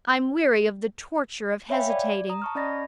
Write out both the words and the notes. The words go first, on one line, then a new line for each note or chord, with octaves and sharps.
I'm weary of the torture of hesitating.
C#5 E5 F5 G5 G#5 B5
D5
A#5 D#6
A5 C#6 F6
C#4 D5 D#5 B5 A6 A#6